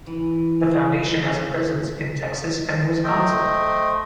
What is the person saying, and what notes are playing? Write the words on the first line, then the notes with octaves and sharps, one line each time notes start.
The Foundation has a presence in Texas and Wisconsin.
E3
A3 C5 D#5 G5